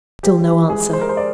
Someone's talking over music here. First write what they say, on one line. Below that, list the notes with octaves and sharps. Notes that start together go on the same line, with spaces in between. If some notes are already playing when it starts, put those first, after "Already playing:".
Still no answer.
F3 G4
G#3 G#4
C5
A#4
C5
D5